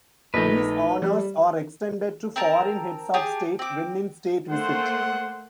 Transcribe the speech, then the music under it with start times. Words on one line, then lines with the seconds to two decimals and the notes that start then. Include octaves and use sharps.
These honors are extended to foreign heads of state when in State visit.
0.34 A#1 A3 D#4 B4
1.02 G3
2.36 C4 A#4 A5
3.14 G4 G#4 A5
3.59 C4 D6
4.50 A3 A#3 C5 F#5